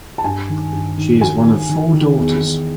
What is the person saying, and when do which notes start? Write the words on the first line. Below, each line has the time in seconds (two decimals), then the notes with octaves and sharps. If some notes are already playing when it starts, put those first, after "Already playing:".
She is one of four daughters.
0.18 A5
0.24 G2 G#5
0.49 D#3
0.73 G2
0.97 D#3
1.21 F#3 G#5
1.45 D#3
1.69 D#3
1.94 D#3
2.18 E2
2.42 E2